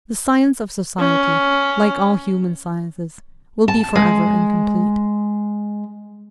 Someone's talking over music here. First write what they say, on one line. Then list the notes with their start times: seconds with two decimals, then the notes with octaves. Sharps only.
The science of society--like all human sciences--will be for ever incomplete.
0.99 C#4
3.68 A5
3.96 G#3